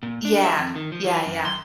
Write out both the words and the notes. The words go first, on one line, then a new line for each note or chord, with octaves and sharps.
Yeah. Yeah, yeah.
A#2
D4
E5
F2
D#3
F3
E3
F#2
C6